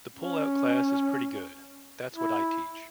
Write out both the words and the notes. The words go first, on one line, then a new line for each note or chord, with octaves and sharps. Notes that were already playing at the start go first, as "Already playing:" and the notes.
The pullout class is pretty good, that’s what I teach.
C#4
E4